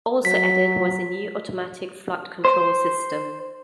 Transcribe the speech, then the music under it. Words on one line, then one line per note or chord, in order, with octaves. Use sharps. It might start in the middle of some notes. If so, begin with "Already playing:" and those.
Also added was a new automatic flight control system.
F#3 B6
C5